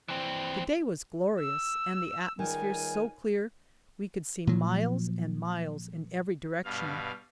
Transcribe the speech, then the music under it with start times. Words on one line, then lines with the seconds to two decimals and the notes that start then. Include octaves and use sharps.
The day was glorious, and the atmosphere so clear, we could see miles and miles in every direction.
0.09 E3 C4
1.40 E6
2.39 C#2 D#3 G3 G#5
4.47 A#2 F3 F#3
6.64 G2 B2 F5